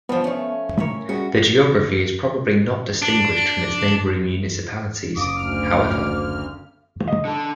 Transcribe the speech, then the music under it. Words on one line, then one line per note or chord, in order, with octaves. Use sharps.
The geography is probably not distinguished from its neighbouring municipalities however.
G2 F3 B3
F3 A3 C#4
A2 A#4 C#5 E5
G3 C#4 F#4 G#4
D4
F#1 D6 D#6
D2 F6
D#5
D3 A4